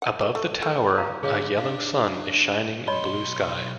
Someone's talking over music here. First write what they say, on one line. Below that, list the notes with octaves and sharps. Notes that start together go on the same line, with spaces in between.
Above the tower a yellow sun is shining in blue sky.
F#5
A3
A3
A3
F5 A#5
G#2 D3 G#4 C#5 F5
D4 F5
B1 C#5 D#5 B5 C6